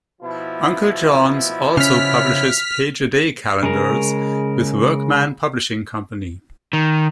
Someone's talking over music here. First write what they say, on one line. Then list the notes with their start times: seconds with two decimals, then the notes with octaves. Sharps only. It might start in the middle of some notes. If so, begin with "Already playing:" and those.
Uncle John's also publishes Page-a-Day calendars with Workman Publishing Company.
0.22 B2 F3 E4
1.77 C#3 C#4 F6 B6
3.63 C#3 G#3 A#4
6.73 D#3